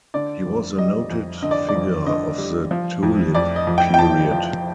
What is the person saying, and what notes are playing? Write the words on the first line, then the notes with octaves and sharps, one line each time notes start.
He was a noted figure of the Tulip period.
D3 D5
F2
G3 D#5
F2
D3 D#5
D5
D5
F2
D3 D#5
G3
F3
F2
F2 D5
D#5
F2
G5
G5
F2 A5
F3